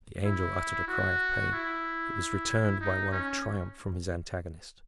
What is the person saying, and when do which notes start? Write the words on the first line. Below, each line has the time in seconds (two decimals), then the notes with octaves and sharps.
The Angel uttered a cry of pain; it was returned by one of triumph from his antagonist.
0.25 E4
0.88 F#4
1.53 E4
2.81 D#4
3.12 C#4